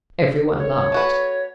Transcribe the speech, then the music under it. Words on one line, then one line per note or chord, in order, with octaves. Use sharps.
Everyone laughed.
C#5
A3 F#4 B4